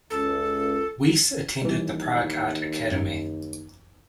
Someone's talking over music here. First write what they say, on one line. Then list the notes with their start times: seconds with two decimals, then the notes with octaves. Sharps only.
Weiss attended the Prague Art Academy.
0.10 C#2 A4
1.62 D#2 E3 G3
2.91 F#2